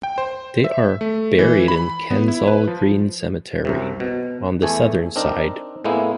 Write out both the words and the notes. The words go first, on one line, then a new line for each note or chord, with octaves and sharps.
They are buried in Kensal Green Cemetery, on the southern side.
G5
C5
E5
A3
E3
B5
B3
E4
B4
F3
C2 F#2 C3
B2
E2 A3 G#5
C4 D4 D#4 A#4
A2 G#3 A#3 B3 E4